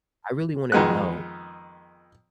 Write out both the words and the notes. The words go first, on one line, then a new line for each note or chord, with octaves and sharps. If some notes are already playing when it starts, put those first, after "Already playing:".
I really wanna know,
F2 D#3 G#3 B3 F#6